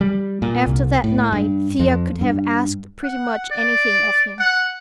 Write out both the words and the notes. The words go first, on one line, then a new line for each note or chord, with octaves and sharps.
After that night Thea could have asked pretty much anything of him.
G3
A#2
C2
A2
G2
F2
G2
F#5
D5
F#5